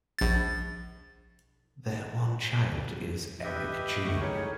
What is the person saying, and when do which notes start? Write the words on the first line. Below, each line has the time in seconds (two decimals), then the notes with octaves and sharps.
Their one child is Eric Gene.
0.19 A#1 A6
3.44 G2 G4 B4 D#5 E5
4.04 A2 C#6
4.21 D#4 G#4 A#4 C#5